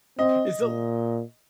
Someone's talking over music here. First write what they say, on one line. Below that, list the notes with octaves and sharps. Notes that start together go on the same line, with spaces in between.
It's a l
C4 D#5
A#2